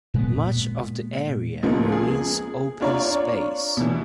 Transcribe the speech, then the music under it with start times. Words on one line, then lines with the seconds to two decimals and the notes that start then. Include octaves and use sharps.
Much of the area remains open space.
0.14 A#2 G#3 B3
1.63 C#2 F3 A#3 B3
1.92 G#4
2.81 D4 F4 C#5 D5 A#5
3.77 B2 E3